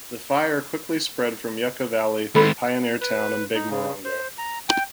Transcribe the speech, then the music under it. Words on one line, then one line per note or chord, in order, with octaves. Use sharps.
The fire quickly spread from Yucca Valley through Pioneertown and Big Morongo.
D#3 G#3 A4 B4 B5
B4
D#4
C#3
C5
A#5
G5